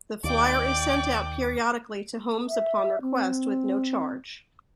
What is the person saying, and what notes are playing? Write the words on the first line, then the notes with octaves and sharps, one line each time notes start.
The flyer is sent out periodically to homes upon request with no charge.
D#2 D5 G5 D6
E5
C4